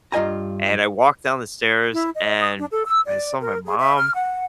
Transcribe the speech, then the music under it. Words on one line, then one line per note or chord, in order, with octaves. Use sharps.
And I walked down the stairs, and I saw my mom.
G2 F4 D#5 G#5 A#5
E4
D#5
D#6
D4
A4
E6
D5
A#4
G#4
E5
F6
F#5